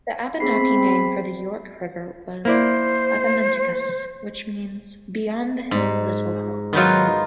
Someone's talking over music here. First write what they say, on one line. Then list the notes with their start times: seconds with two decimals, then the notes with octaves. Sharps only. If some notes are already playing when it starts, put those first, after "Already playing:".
The Abenaki name for the York River was "Agamenticus", which means "Beyond-the-hill-little-cove".
0.40 B3 C4 G#4 B5 C7
2.45 A#3 E4 C5 D5
5.71 G#2
6.73 D#3 F#3 B3 D#4 F4